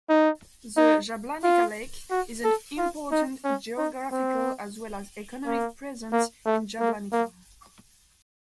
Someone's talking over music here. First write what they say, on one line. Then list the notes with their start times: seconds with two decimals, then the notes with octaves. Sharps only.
The Jablanica lake is an important geographical as well as economic presence in Jablanica.
0.10 D#4
0.77 D#4
1.44 F4
2.11 F#4
2.44 A4
2.78 F4
3.12 D#4
3.45 C#4
3.78 D#4
4.12 C4
5.46 A#3
6.13 A#3
6.46 A3
6.80 A#3
7.13 A#3